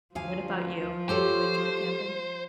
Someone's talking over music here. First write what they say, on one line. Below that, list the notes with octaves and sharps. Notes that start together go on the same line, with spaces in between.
What about you? Do you enjoy camping?
D2 F3 F5 G#5
G4 A4 C5 C#5